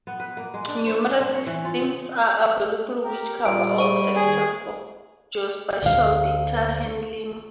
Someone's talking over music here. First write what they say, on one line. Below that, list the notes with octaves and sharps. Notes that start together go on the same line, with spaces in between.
Numerous systems are available which cover all sectors of geospatial data handling.
B3
B4
A#3
G#3
D4
C5
D4
C4
C#5
E3
F4
C#3
G4 A#4
A#2 G3 F4 D7
C#6 D#7
D#2 G#4
D2 F5